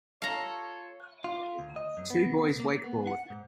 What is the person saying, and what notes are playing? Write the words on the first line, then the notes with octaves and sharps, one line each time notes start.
Two boys wakeboard.
F4 A4 C#5 F5 A#5
F4
D2
D#5
F#2
B3
C#2
A#3
B3
F#5
G#2